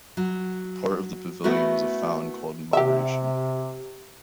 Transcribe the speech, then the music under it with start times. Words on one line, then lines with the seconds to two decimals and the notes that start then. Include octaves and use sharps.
Part of the pavilion was a fountain called Migration.
0.17 F#3
1.44 A3 B3 E4 F#4 A#4
2.73 C3 G4 E5